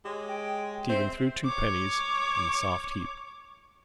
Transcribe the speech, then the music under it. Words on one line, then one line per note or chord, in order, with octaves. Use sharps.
Stephen threw two pennies on the soft heap.
G#3 G4 C#5
G5
C4 C5 E5
C#5 D6